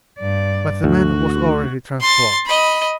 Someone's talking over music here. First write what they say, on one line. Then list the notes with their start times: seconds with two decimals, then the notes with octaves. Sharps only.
But the man was already transformed.
0.19 G2 D5
0.84 D2 F#4
2.01 C6 A6
2.46 D#5 B5